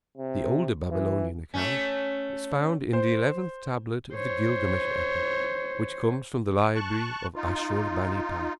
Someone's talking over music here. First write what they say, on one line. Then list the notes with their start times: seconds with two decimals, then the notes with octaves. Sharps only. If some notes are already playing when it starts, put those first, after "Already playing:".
The older Babylonian account is found in the eleventh tablet of the Gilgamesh epic, which comes from the library of Asshurbanipal.
0.17 C3
0.92 E3
1.54 A3 C#4
2.93 C5
4.14 C5 C#5
6.75 A5 C#6 F#6
7.35 D#4 F4